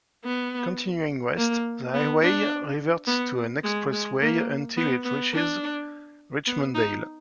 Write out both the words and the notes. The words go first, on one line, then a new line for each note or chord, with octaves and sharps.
Continuing west, the highway reverts to an expressway until it reaches Richmond Dale.
B3
A#3
B3
D4
B3
G#3
G#3
A#3
B3
B3
D4
B3
D#4